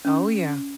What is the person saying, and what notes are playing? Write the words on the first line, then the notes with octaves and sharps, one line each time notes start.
Oh, yeah.
C#4